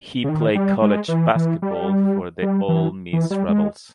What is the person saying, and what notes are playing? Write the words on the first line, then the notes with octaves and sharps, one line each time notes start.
He played college basketball for the Ole Miss Rebels.
C#3
D#3
G3
G#3
E3
E3
G3
G3
E3
E3
G3
G#3